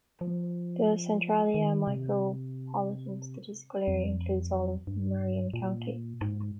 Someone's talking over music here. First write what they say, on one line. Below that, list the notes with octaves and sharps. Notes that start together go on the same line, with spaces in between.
The Centralia Micropolitan Statistical Area includes all of Marion County.
F3
D#3
C3
F2
G2
A#2
G#2